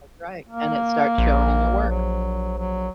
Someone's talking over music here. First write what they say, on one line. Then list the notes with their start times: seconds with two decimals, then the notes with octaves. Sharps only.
That's right, and it starts showing in your work.
0.49 A#3
1.18 A#1
1.89 F#3
2.58 F#3